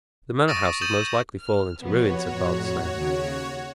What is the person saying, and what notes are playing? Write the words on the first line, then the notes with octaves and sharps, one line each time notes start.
"The manor-house has most likely fallen to ruin!" said Father Snail.
C#6 D#6 A6 A#6 D7 D#7
D#6 G6 A6 D#7 E7 F#7
F6
C3 F3 B3 F#4 C#5
F2 A2
D#2 C#3